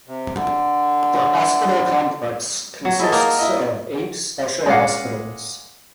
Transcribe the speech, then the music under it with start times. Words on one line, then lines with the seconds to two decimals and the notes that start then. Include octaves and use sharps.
The hospital complex consists of eight special hospitals.
0.08 C3
0.34 D3
2.85 F#3
3.00 E4 G#4 D#5 A5
3.12 A#3 D#4 A#4
3.39 E4 D#5
4.66 G#3 C#4 D5 F5 F#5